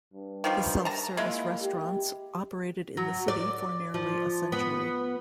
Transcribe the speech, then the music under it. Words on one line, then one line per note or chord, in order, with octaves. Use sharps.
The self-service restaurants operated in the city for nearly a century.
G2
D#3 F3 G3
A5 A#5
G#3 A#3 E4 F4
G4
F#3
D5
F3
B3